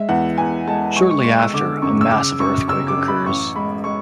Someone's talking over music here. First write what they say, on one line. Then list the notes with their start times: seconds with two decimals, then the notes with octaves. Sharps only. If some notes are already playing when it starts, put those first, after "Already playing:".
Shortly after, a massive earthquake occurs.
Already playing: G#3 E5
0.09 E2 F#5
0.37 E2 G#5
0.67 G#3 A5
0.96 G#3 C#6
1.11 C#6
1.24 G#3 C#6
1.39 E6
1.54 D3 D6
1.82 F#2 C#6
2.01 E6
2.11 C#3 D6
2.40 F#2 C#6
2.68 C#3 E6
2.88 D6
2.97 F#2
3.08 B5
3.26 A1 C#6
3.56 G#3 B5
3.84 G#3 C#6